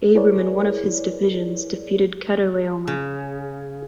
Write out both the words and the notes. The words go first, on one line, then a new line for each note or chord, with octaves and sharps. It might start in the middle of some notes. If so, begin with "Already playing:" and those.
Abram and one of his divisions defeated Chedorlaomer.
E4 G#4 A#4 B4 C#5 D5
C#3